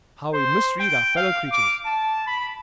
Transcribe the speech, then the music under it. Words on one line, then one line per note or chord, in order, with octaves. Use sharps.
How we misread our fellow creatures.'
C5
G5
F5
D6
A5
B5